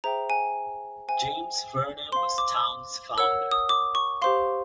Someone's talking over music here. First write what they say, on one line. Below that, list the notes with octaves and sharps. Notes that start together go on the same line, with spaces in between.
James Verner was town's founder.
G#4 C5 E5 G5 A#5
G#5
C5 E5 G5 G#5
C5 F5 C6
D6
A#4 C#5 F#5 E6
D#6
D6
C#6
G4 C5 F5 C6